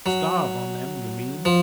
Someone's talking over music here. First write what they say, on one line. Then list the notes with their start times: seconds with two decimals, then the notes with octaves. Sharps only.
"Starve on them, you mean?"
0.06 F#3
1.45 F3